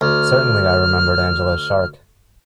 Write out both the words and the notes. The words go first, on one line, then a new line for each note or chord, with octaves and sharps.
Certainly I remembered Angela's shark.
D2 F6